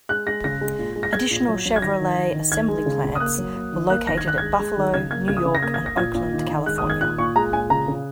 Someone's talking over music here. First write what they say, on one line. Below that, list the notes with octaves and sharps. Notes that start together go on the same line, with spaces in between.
Additional Chevrolet Assembly plants were located at Buffalo, New York and Oakland, California.
G#3 F#6
G#3 A#6
C#3 A#6
G#3
A#2
G#3
A#6
G#3 G#6
A#2
F#3
F#3
G#6
D#3 A#6
D#3
D#3
D#3
D#3 G#6
G#3
C#3
C#3
D#6
A#3 F#6
F#3
A#3
D#3
A#3 F#6
D#3 A#6
G#6
D#3 F#6
G#3 G#6
G#3
D#3
C#3 G#6
A#3 G#6
C#3 G#6
D#6
C#3
A#6
A#3 G#6
G#6
A#3
A#6
A#2 G#6
A#2
D#3
D#3
G#3 F#6
D#6
D#3
G#6
A#2 F#6
A#2 C#6
G#3 A#5
A#2 G#5
C#3 A#5
C#3